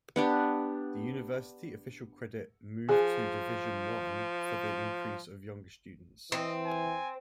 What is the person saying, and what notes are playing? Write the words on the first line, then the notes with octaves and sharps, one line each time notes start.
The university official credit "move to Division One" for the increase of younger students.
B3 D4 G4
F3 G#4 G#5
E3 C4 D#5
G#5